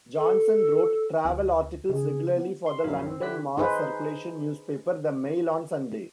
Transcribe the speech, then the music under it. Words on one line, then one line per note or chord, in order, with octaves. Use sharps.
Johnson wrote travel articles regularly for the London mass-circulation newspaper "The Mail on Sunday".
A4
D2
C#3 G#4
B3
C6
A#1 F#2 F#3 E4 F5 B5
C4
D3 E4 G4 F#6 B6
D#4 G#4 B4 C5